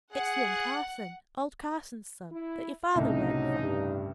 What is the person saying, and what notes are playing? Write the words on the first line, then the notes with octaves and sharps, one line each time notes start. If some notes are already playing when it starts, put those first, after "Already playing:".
"It's young Carson, old Carson's son, that your father worked for."
G#4 F#5
E4
C2 A2 C#3 D#4
C3 F#3
G2